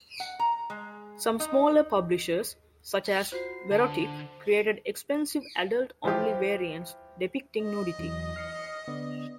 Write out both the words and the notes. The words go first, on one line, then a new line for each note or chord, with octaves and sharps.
Some smaller publishers, such as Verotik created expensive adult-only variants depicting nudity.
F#5
A#5
G#3
D#4
F4 F#4 C5 C7
D3 A5
E3 F3 E4 F4 G4
D#5
E2 E3 F#3
F6 C7 C#7
D3 B3 D5